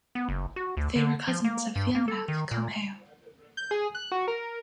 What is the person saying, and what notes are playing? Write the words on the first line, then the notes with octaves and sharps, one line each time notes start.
They were cousins of Fionn mac Cumhaill.
B3
F#1
F#4
D2
D3
F3
A#3
G2
A#3
A4
D#3
A#2
G6
G#4
F#6
F#4
A#4